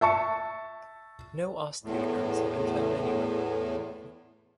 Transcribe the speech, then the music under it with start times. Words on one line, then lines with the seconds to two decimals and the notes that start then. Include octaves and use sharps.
No osteoderms have been found anywhere.
0.01 E5 A5 C#6 C#7
1.84 E2 A2